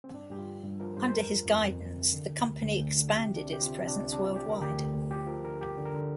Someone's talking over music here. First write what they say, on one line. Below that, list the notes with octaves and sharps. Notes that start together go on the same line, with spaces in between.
Under his guidance, the company expanded its presence worldwide.
C4
G2 D4
G2 G4
F4
F3
G2
F3 A#4
G2 C5
C5
F2 A#4
F3
F2
F2
F2
C3
D3
D2
D2
D2
D2
D3
C3 G4
C2
D4
C3
G4
C3 F4
C3
D4
C2
C3 D4
F3 F4
G4
D2 A#4
D2 G4
D2
D2
F3 G4
F3 A#4
D3 A#4
G2 G4
D3
A#4
D3